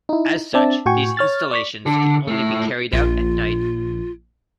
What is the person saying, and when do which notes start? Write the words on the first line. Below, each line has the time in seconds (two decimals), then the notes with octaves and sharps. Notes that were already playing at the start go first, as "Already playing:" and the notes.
As such these installations could only be carried out at night.
0.09 D#4 E4
0.54 C4 D4 D5 E5 A5
0.86 A2 F#4 G5 G#5 C#6
1.17 C#5 F6 A6
1.51 D5 C#6 B6
1.86 D3 A4
2.28 A3 E4
2.93 A#1 F4